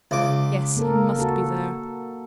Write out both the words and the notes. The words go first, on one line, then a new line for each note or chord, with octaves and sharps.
Yes, he must be there.
C#2 D6
A#3 A4 A#4
F#4 A4